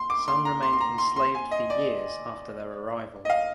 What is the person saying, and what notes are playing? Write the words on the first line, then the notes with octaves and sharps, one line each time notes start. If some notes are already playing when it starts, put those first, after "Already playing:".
Some remained enslaved for years after their arrival.
Already playing: C6
D6
C6
A#5
C6
C6
A#5
C6
C6
G#5
D#5
D5
D#5
F5